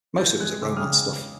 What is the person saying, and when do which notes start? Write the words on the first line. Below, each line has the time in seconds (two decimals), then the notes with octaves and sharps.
Most of it was the romance stuff.
0.17 E3 G6 A6
0.40 G#3 F#6 G#6
0.61 C#3 D6 E6
0.76 D#6 F6
0.84 C#3
1.06 C#3